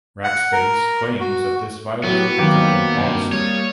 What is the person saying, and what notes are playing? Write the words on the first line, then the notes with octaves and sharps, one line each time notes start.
Rackspace claims that this violated their company policy.
F#5
A#4
F#4
F#3 B3 E4 F#4 G4
D#3 F#3 A#3 C4 G4
G2
G3 C#5 D#6 A6